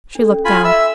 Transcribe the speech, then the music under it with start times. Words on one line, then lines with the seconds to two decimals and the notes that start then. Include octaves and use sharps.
She looked down.
0.15 D4 A4
0.30 C#4
0.45 F4 G#5 B5
0.64 E5 E6